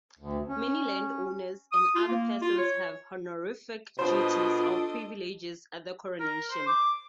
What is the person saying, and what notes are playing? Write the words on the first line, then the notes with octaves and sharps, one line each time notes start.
Many landowners and other persons have honorific "duties" or privileges at the coronation.
D2
C#4
D#6
F4
A#3
F4
C#5
B2 D4 F4 A4 C5 D#5
A#4
C5
D6